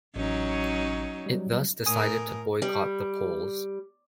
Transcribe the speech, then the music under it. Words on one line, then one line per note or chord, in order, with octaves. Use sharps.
It thus decided to boycott the polls.
A1 F#3 C#4 D#4
F#3 G3
A2 A#4 G#5 D#6
G3